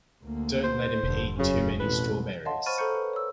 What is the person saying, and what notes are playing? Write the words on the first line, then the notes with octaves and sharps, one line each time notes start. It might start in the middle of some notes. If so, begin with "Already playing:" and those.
Don't let him eat too many strawberries.
D2 A#3
C5
E1 G2 D3
F#2 C#3 C#4
A1 F2 B2 B4
C#5 D#5 F5 F#5 A5 C6
C5 B5 C#6 F6 A6 D#7
A4 C5 A#5 C#6 G6 C#7
B4
C#5 E6